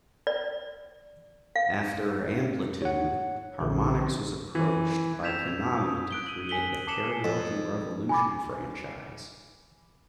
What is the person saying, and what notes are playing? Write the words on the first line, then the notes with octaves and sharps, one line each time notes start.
After "Amplitude", Harmonix was approached by Konami to create the "Karaoke Revolution" franchise.
D5
F5
C#5 F#5
A#1 D3
E3
E6 G6 G#6 B6 E7 F7
D#6 B6
F#6 D7 G7
D#7 F#7
G#5 B6 F#7 G7
A5 D6 C7 C#7 E7 F#7
F2
G#5 B5 D6